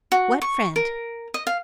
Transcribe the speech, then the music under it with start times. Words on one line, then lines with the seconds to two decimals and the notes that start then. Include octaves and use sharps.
"What friend?"
0.12 F#4
0.42 C#6
0.76 A#4
1.34 D#5
1.47 F5